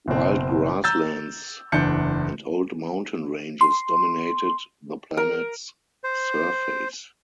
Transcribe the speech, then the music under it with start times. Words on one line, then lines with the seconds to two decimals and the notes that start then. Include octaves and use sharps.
Wild grasslands and old mountain ranges dominated the planet's surface.
0.08 F#1 B2 C4
0.84 A#5 E6 G6 A6
1.72 F#1 E2 D4 D5 G6 C#7
3.61 C6
5.17 A#4
6.04 C5